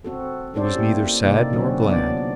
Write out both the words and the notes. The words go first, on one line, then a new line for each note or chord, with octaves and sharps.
It was neither sad nor glad.
C4 F#4 A4
C#4 A4 C5 D5
A#3 E4 G4
C3 A#3 D#4 A4 D5
D3 F#3 C4 C#4 F#4
F3 F#3 B3 D4 D5